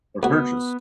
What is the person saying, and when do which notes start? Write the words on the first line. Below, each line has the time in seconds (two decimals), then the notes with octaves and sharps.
for purchase,
0.23 D2 B3 F#4